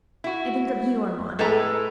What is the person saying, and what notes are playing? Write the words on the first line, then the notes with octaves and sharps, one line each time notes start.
I think of you, Armand.
E4 F#4
A2 G#3 A3 A4 B4 A#5